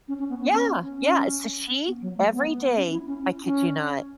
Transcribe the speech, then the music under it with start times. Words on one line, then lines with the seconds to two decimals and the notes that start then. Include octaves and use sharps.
Yeah, yeah. So she- every day, I kid you not,
0.08 C#4
0.19 C#4
0.30 B3
0.41 B3
0.52 C#4
0.97 C#4
1.88 B3
2.02 F#3
2.17 A3
2.32 B3
2.77 C#4
2.92 E4
3.07 C#4
3.22 C#4
3.44 C#4